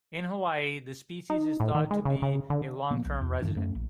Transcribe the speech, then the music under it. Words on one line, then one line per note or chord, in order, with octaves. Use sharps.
In Hawaii, the species is thought to be a long-term resident.
D#4
A2
D#3
G#3
C#3
C#3
D3
A#2 F3 A#3 B3
B1
E2
G2 D3 E3 D4
F#2 A3 C#4
A#1